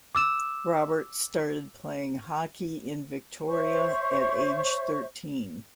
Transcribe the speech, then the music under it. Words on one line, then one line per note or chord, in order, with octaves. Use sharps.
Roberts started playing hockey in Victoria at age thirteen.
D6 E6 E7
C5 C#5 E5 C#6